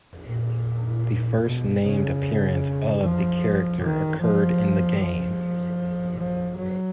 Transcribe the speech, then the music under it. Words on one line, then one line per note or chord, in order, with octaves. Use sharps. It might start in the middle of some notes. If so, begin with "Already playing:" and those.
The first named appearance of the character occurred in the game "".
A#2
B2
C#3
F3
D#3
F3
F3
F3
F#3